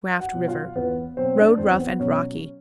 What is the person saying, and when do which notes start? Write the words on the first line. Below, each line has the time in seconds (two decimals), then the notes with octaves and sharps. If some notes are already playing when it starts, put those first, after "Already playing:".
Raft River.--Road rough and rocky.
0.20 F#4 F#5
0.34 B2 F#3
0.48 F4 F5
0.76 E2 B3 B4
1.17 B2 F#3 C4 C5
1.37 D4 D5
1.58 E2 C4 C5
1.79 B3 B4
2.00 B2 F#3 C#4 C#5